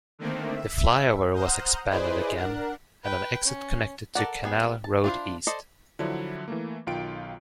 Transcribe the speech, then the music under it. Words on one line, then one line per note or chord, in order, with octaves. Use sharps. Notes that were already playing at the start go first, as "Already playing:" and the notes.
The flyover was expanded again and an exit connected to Canal Road East.
D3 D#3 A3 A#3 C4
E5
C5 F#5 A#5 D#6 F6 G6
E4 G#4 B4 C5 D5 D#5
D4 A#4 F#5
B4 G5
C#4
A4 A#4 D5 F#5
G3 B3 G#4
A5
D4 E4 F4 B4 C5
A4 C5 D5 D#5
D3 F3 F#3 D4 E4
E3 A3 A#3
B1 D#3 F4 G5 D7